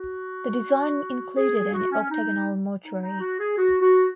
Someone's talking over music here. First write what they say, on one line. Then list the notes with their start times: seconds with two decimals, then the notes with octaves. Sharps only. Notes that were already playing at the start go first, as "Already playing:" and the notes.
The design included an octagonal mortuary.
Already playing: F#4
1.37 G#4
1.55 G#4
1.73 F#4
1.91 C#4
2.10 D#4
2.84 D#4
3.02 D#4
3.20 F#4
3.39 G#4
3.57 F#4
3.81 F#4